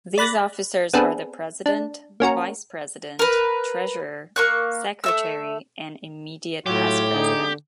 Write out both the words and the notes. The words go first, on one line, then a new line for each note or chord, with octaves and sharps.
These officers are the President, Vice President, Treasurer, Secretary, and Immediate Past President.
D5 B5 F#6 A6 A#6
B3 C4 D4 G#4 A4 B4
D4
A#3 C#4 F#4 A#4
A#4 B4
A#3 C#6 F#6
A3 E5 E6
A2 F#3 F4 G4 C#5
D3 D#4 G#4